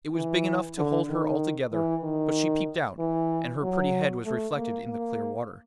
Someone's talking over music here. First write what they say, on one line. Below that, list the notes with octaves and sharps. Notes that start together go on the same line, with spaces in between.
It was big enough to hold her altogether, but she peeped out, and her pretty head was reflected in the clear water.
E3
D3
D#3
E3
D#3
E3
F#3
A3
A#3
A#3